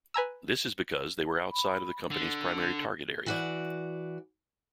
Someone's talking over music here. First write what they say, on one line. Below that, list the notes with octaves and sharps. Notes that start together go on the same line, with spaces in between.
This is because they were outside of the company's primary target area.
B4 G#5 A#5 E6
B5
D3
E3 F#4 D5